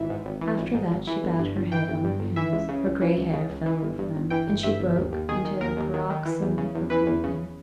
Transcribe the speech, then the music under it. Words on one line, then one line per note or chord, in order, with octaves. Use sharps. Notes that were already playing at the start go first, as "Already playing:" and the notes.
After that she bowed her head on her hands; her grey hair fell over them, and she broke into a paroxysm of weeping.
Already playing: G#1 E3 E5
G#2
G#1
E3
G#1
G#2
G#1
E3
G1
G2
G1
E3 G5
G1
G2
G1
E3 E5
C#2
C#3
C#2
E3
C#2
C#3
C#2
E3
G1
G2
G1
E3 G5
G1
G2 E5
G1
D#2
D#2
D#3 G#4
D#3
D#2 A#4
D#2
D#3
D#3
E3
E2
C#3
E2
E3 B4
E2
C#3